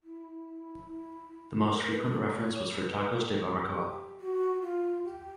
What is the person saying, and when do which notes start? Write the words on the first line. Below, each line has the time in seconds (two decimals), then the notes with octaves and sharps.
The most frequent reference was for "tacos de barbacoa".
0.03 E4
1.70 A#4
1.91 B4
2.04 A#4
2.12 A4
2.33 C#5
2.74 B4
2.95 B4
3.11 G#4
3.16 G4
4.20 F#4
4.62 F4
5.04 G4